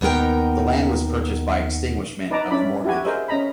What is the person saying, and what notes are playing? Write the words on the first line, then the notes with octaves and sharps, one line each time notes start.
The land was purchased by extinguishment of the mortgage.
D#2 B3 D#4 A#4 G5
D#4 B4 D5 A5 A#5 D6
C#4 D4 E4 D5 B5
E4 F#4 G4 F#5 G#5
G#4 A#4 C5 D#5 E5
C#4 D#5 A#5 B5